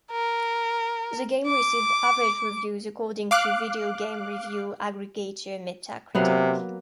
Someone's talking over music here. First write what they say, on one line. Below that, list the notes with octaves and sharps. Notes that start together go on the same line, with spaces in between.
The game received "average" reviews according to video game review aggregator Metacritic.
A#4
D6
F5 D6 F#6
C3 F#3 A#3 B3